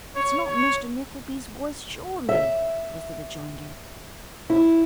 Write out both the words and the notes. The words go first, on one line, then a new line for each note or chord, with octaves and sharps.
'That's not Mr Nickleby's voice, surely?' was the rejoinder.
C#5
C#5
E5
E4